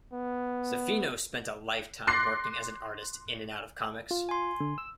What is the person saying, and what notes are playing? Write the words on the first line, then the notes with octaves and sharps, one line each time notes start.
Zaffino spent a lifetime working as an artist in and out of comics.
B3
C6 D6 F#6 A6 A#6 C7
F4
G#5 C6
D3
E6